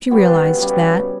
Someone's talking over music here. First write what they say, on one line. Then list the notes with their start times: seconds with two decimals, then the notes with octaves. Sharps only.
She realized that.
0.11 C#3 G3 B3 F#4
0.58 C#3 G3 B3 F#4